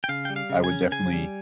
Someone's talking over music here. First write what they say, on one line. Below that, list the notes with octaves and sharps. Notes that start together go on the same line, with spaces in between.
I would, definitely,
G5
C#3 F5
G3 G5
F5
C#3
G#5
C#4
C#3 G#5
G3